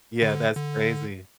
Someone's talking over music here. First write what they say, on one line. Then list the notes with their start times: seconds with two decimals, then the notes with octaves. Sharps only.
Yeah. That's crazy.
0.22 D3
0.56 D3